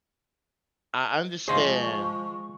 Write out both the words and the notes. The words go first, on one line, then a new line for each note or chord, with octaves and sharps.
I understand
F3 G#3 G#4 C5 D#5 F5 C#6